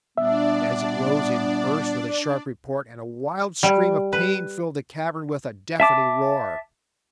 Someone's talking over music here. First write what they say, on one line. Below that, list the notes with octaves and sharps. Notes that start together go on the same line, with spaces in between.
As it rose it burst with a sharp report, and a wild scream of pain filled the cavern with a deafening roar.
A#2 G3 B3 D4 D5 E5
G3
B4
E5 A5 D6